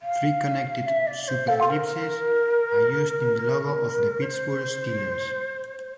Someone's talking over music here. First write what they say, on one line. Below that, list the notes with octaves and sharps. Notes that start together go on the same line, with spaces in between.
Three connected superellipses are used in the logo of the Pittsburgh Steelers.
F5
E5
D5
C5
A4
A#4
C5